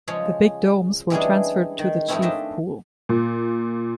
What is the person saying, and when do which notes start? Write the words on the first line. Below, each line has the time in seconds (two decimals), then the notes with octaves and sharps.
The "Big Domes" were transferred to the "Chief" pool.
0.08 C#3 F3 G#3 C#4 C#5
1.10 E3 G3 G#3 C#4 D4 G#4
1.79 D#3
2.08 G#2 F3 A3 C4 C#4 E4
2.22 D4 D#5 E5 A5
3.09 A#2